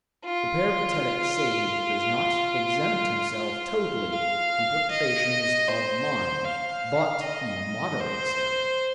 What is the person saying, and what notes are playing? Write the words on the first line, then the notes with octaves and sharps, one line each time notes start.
The Peripatetic sage does not exempt himself totally from perturbations of mind, but he moderates them.
F4
F4
F5
D#5
C5
F5
D#5
C5